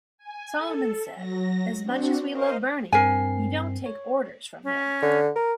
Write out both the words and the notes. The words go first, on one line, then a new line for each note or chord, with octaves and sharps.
Solomon said, As much as we love Bernie, we don't take orders from him.
G#5
A4
F#3 A#6
C4 D4 F#4
A#4 C5 D#5 F5
G2 C4 A#4 G#5 C7
C#5
C#4
D3
A#4